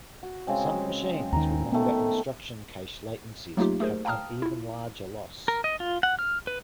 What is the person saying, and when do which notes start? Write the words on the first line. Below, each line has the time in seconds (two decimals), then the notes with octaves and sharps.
Some machines with longer instruction cache latencies would have an even larger loss.
0.23 F#4
0.47 C#3 G#3 C4
1.32 D#2 D#3 A#5
1.72 D#3 A3 B3
3.57 F#3 A3 A#3 D#4 F4 G4
3.80 A3 G#4 A#4 C5
4.05 F5 G5 A5 A#5 D#6 F6
4.42 E4 F4
5.48 A#4
5.64 D#5
5.80 F4
6.03 F#5
6.19 F6
6.47 B4